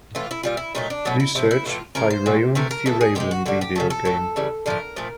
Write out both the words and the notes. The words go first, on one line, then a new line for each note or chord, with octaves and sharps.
Please search Thirayum Theeravum video game.
A2 E3 A3 F4
E4
A#2 G3 F4
E4
A#2 F#3 A3 D#4
D4
B2 F#3 A3
E4
C3 F3 A3 E4
E4
A2 E3 A3 F4
C#3 F3 A3 A#4
C5
A#2 F#3 A3
C3 E3 A3 A#4
A#4
C#3 E3 A3 A4
G#4
C3 D#3 G#3 G4
F#4
D3 G3 F#4
G4
C#3 F#3 A3 A4
A4
A2 F#3 A3
C#3 E3 G3
D3 F3 A3 A#4
A#2 F3 A3